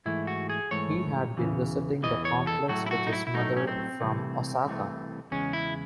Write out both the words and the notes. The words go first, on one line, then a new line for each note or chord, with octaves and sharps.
He had been visiting the complex with his mother from Osaka.
G#2 E3 A3 E4
F#4
G#4
G#2 E3 A3 C#5
E2 C#3 E3
E2 C#3 E3 D#5
C#5
A4
A2 F#3 A3 F#4
E4
F#4
D#4
E4
E4
A2 F#3 A3 D#4
C#4
C4
C2 C3 E3 A3
C2 C3 E3 A3
E2 C#3 G#3 C#4
E4